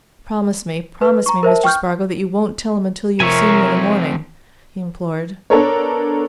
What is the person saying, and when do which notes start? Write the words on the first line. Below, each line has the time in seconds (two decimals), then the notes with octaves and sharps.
"Promise me--promise me, Mr. Spargo, that you won't tell him until you have seen me in the morning!" he implored.
1.02 B4
1.26 A#5 C#6
1.43 A#4 C5 E5 A5
1.64 G5 C#6 F6 G6
3.20 C3 F3 A#4 C#5 E5 G#5
5.50 B3 D4 A4 A#4 C#5